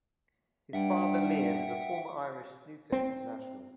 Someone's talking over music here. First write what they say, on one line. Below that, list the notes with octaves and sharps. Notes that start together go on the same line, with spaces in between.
His father Liam is a former Irish snooker international.
G2 E5 F#5 G5
C4